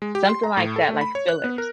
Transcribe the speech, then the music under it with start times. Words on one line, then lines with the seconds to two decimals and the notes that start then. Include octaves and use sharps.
something like that, like fillers.
0.02 G#3
0.15 G4
0.29 C6
0.43 A#5
0.57 A2
0.76 A4
0.89 A3
1.01 B5
1.15 C#5
1.28 F#6
1.44 B3
1.58 A#4